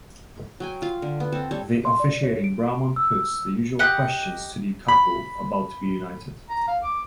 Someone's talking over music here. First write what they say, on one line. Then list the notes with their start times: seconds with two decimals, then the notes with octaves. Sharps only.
The officiating Brahman puts the usual questions to the couple about to be united.
0.60 F#3 G5 G#5
0.82 F4 F5
1.02 D3
1.20 B3
1.32 C4 A4
1.51 G3 A4 C#5
1.85 C6
2.00 D5
2.23 C#5
2.44 D7
2.96 E6
3.79 G4 D#5 F#5
4.88 B5
6.50 A#5
6.68 F5
6.84 D6